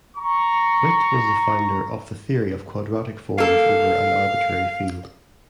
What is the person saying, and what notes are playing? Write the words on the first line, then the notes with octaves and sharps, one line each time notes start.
Witt was the founder of the theory of quadratic forms over an arbitrary field.
A#5 C#6
A#3 A4 F5